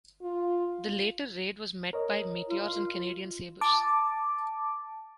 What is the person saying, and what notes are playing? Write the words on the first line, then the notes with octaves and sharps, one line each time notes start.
The later raid was met by Meteors and Canadian Sabres.
F4
A#4 C#5 D#5
F4
A5 D6